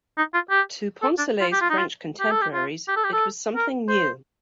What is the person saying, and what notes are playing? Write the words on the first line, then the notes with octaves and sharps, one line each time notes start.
To Poncelet's French contemporaries, it was something new.
D#4
F4
G4
A4
D4
F4
G4
F4
D#4
F4
G4
A4
G4
F4
G4
A4
G4
A4
A#4
C5